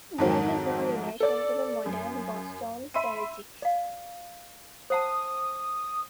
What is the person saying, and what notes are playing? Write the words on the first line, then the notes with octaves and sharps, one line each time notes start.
There is no relation to the modern Boston Celtics.
F2 G#2 D#3 F#3
A4 D5
F#2
E5 B5 C6 E6 D#7
D5 F5
C5 F#5 A5 D#6